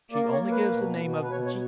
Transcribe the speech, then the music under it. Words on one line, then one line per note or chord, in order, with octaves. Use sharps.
She only gives the name of 'G.
A#3 D5
C#5
A#3
B4
B2
B2
B4
B2 C#5
C#5